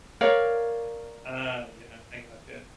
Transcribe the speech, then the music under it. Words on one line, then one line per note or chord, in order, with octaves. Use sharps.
Ah, yeah, I gotcha.
A#4 C#5 D5 F5